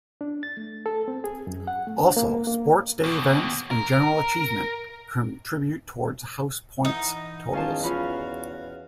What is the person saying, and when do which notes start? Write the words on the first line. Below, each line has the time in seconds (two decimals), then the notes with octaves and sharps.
Also, sports day events and general achievement contribute towards house points totals.
0.21 D4
0.43 A6
0.57 A3
0.86 A4
1.08 C4
1.24 G#4
1.47 F#2
1.67 F#5
1.87 A3
2.00 D4
2.17 A#3
2.47 A#3
3.04 D#2 B2
3.71 A#4
3.93 A#4
6.85 E3 D#4 F#5
7.53 E2 D#3 C#4 F4 F5 A5
7.84 C#4 F4 F#4 F5 B5